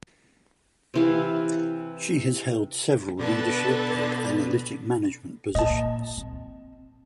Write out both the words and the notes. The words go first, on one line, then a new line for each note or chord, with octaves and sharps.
She has held several leadership and analytic management positions.
C3 E3 F5
B2 D3 A4 B4 A5
A#2 D#5 A5
C4